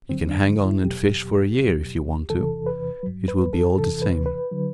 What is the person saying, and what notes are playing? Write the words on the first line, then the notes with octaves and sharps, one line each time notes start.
You can hang on and fish for a year, if you want to: it will be all the same.
F#2 D3 F#3 C4
D4
E4
E2 B2 F#3 G4
E2 B2 F#3
E2 C3 E3 A4
B4
G2 F#3
B4
A4
E2 C3 E3 A4
B4
B4
D3 F#3